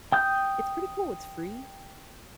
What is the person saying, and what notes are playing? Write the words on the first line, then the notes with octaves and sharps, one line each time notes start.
It's pretty cool, it's free,
G5 D#6 G6